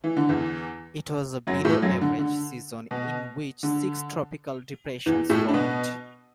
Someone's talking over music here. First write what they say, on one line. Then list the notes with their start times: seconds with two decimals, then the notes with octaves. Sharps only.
It was a below average season in which six tropical depressions formed.
0.04 E3
0.17 D3
0.29 E2 E3
1.47 F#2 F#3
1.65 A2 A3
1.82 F#2 F#3
2.01 D3
2.19 D3
2.91 B2
3.63 D3
5.06 E2 E3
5.30 A2 A3
5.48 D4
5.54 B2 B3